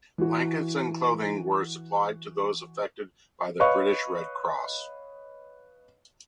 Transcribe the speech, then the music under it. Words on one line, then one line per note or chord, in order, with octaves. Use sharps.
Blankets and clothings were supplied to those affected by the British Red Cross.
E3 F#4
B4 C#5 D#5 F5 C#6